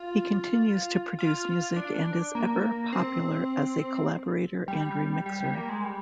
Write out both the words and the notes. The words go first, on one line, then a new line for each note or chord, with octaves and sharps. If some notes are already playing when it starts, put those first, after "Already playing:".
He continues to produce music and is ever popular as a collaborator and remixer.
Already playing: F4
F4
D4
A#3
C4
G3
G3
G3
A#3
G#3
G3